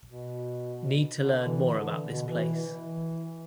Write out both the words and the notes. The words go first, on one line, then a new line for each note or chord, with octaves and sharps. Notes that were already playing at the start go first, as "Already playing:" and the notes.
Need to learn more about this place.
B2
D3
E3
D3
B2
E3
E3